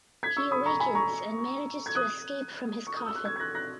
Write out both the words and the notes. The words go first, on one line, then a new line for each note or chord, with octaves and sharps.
He awakens and manages to escape from his coffin.
G#6 B6
C#6 E6
B5 D#6
A#5 C#6
G#5 B5
A#5 C#6
G#6
D#6 F#6
C#6
D#6
E6
F#6
E6 G#6
G#6
F#6 A#6
F#6 A#6